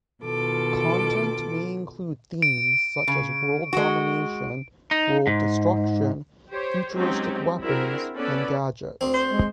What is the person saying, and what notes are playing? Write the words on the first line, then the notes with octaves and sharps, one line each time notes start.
Content may include themes such as world domination, world destruction, futuristic weapons, and gadgets.
B2 D#3 F4 A4 D6
D7
C#3
G#3 F#4
D#4
G#2
G4 C5 C#5
F#3 G#3 C4 C#4 D#4 G4
C4 D4 E4 F#4 G#4 A#4
B3 C#4 A4 B4 D5
D2 C4
C5
G#3